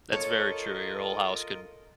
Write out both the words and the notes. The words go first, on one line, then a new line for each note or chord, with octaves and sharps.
That's very true, your whole house could
F4 A4 A#4 C#5 D#5